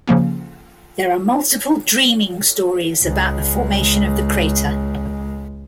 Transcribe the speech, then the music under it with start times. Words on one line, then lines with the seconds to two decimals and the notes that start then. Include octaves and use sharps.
There are multiple Dreaming stories about the formation of the crater.
0.08 C#3 F3 A#3 C#4
3.02 C#2 G#3